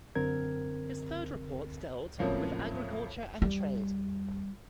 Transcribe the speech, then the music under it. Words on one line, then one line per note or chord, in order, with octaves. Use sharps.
His third report dealt with agriculture and trade.
F#2 D3 C4 A#4 G#6
A2 C#3 F3 F#3 A#3 C4
G3